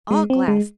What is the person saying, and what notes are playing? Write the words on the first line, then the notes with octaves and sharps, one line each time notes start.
"All glass."
G#3
C4
G#3